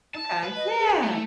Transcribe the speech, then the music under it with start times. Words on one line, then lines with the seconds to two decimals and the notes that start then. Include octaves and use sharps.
Ma okay, yeah.
0.15 A5
0.43 B4
0.57 D#5
0.79 G#4
1.03 A3 E4